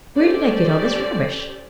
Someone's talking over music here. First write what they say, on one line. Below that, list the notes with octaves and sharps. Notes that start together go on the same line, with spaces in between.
Where did I get all this rubbish?
C#4 G4 A4 C5 D5